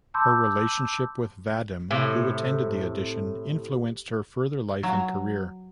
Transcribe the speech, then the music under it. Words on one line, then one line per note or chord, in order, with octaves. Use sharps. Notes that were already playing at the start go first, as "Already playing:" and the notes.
Her relationship with Vadim, who attended the audition, influenced her further life and career.
A5 B5 C6 D6 E6 G6
A2 C3
F#3